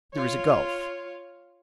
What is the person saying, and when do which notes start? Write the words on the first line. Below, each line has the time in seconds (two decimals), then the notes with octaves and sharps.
There is a gulf.
0.13 F4 C#5